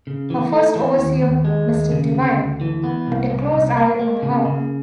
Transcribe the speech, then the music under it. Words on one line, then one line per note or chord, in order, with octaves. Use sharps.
Her first overseer, Mr. Divine, kept a close eye on her.
C#3
E3
A3
E3
D#2
D#2
G#3
D#2
C#3
D2
D2
E3
B3
C2
C2
C2
A#3
A#3
C#3
C#3